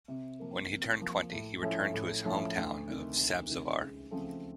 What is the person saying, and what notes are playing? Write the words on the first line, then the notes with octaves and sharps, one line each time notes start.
When he turned twenty, he returned to his hometown of Sabzavar.
C3
F3 A#3
C3
F3 A#3
A2
F3 A3 C#4 E4
A2
F3 A3 C#4 E4
D2
C3 D#3
D2
C3 D#3
C#2
C#3 F3 A3 C4